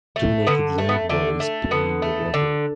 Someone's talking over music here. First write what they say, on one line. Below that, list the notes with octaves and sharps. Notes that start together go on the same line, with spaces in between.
Two naked young boys play in the water.
A3
D3 B3
A3
B3
D3 A3
A3
D3 B3
A3
D3